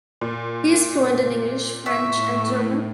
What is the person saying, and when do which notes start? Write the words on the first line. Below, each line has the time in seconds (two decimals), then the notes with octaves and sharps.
He is fluent in English, French and German.
0.21 A#2
1.86 A2 E5 C#6